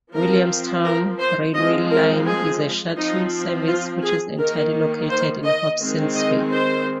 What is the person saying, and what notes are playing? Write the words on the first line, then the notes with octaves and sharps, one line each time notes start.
Williamstown railway line is a shuttle service which is entirely located in Hobsons Bay.
F3 C4 A#4
A#4
C5
F3 G#3 C4 D#5
A#4
G#4
F3 C4 D#4
F4
G#4
D#3 A#3 A#4
C5
D#5
D#3 G#3 C4
D#5
C5